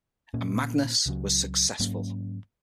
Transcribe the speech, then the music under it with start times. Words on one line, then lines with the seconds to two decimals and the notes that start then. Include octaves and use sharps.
And Magnus was successful!
0.34 A#2 A#3 C#4
1.06 C#2 C#3 F#3
1.80 G#2 F#3 A#3 C#4